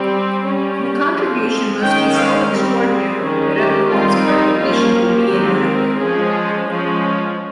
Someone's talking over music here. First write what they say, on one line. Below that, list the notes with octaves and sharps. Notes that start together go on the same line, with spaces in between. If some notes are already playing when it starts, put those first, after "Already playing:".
The contribution must be so extraordinary that other forms of recognition would be inadequate.
Already playing: G3 C4
G3 C#4
F3 G#3 C4
D#3 G#3 C#4 G5
F5
G3 C4 A#4
G#4
D#3 G#3 C#4
G4
D#3 G3 C4 F4
D#4
F3 A#3 C#4 F4
G4
D#3 G#3 C4
A#4
F3 G#3 C#4 G#4
F3 G#3 C#4